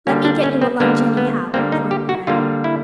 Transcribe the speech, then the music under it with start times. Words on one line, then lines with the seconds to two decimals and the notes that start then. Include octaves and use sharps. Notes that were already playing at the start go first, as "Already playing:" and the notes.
"Let me get you a lunch anyhow," implored Anne.
0.07 D3 G3 A#3 C#4
0.25 D4
0.44 C#4
0.62 C4
0.80 D3 G3 A#3 B3
1.17 B3
1.54 D3 G3 A#3 C4
1.72 D#4
1.91 G4
2.09 F#4
2.27 D3 G3 A#3 F4
2.64 E4